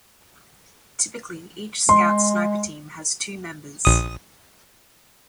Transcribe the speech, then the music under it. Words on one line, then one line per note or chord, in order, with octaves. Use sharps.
Typically, each Scout Sniper team has two members.
G#3 C6
A#1 D#6